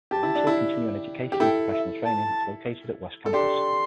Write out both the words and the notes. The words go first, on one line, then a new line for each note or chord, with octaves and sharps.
Valencia Continuing Education and Professional Training is located at West Campus.
G4 A5
E4
D4
E4
G4
E4 A4 G5
E5
A5
A4
D4 G4 C6